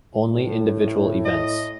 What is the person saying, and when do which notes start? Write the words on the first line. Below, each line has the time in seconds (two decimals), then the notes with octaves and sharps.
Only individual events.
0.33 A2
1.25 D#5